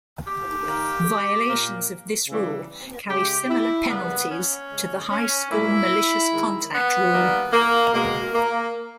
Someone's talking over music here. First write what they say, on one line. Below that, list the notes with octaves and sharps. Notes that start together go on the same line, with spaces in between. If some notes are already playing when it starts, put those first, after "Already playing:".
Violations of this rule carry similar penalties to the high school malicious contact rule.
G4
D#3 A#3
A#2 A#3
C#3 E3 G3
C#3 G#3 G4
E4
C#3 G3 A#3 B3
C#4
C#3 G#3
C#4
A#2 G3 A#3 E4
D#3 G#3
B3
D#3 G3 A#3
A#3
B2 G#3 A#3
A#3